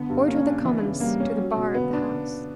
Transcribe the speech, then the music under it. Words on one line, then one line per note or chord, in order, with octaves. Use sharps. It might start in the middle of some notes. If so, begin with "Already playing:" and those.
"Order the Commons to the bar of the House."
Already playing: D3 B3
G2
A#3 C#4
D4
E3 B3
C#3
G3 A#3
C#4
F#3
B2
D3 B3
D4